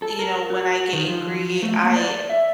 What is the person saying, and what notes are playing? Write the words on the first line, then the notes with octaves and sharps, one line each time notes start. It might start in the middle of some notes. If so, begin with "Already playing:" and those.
you know, when I get angry, I
A4
A#4
F#4
D#3
F3
A3
A#3
D5
E5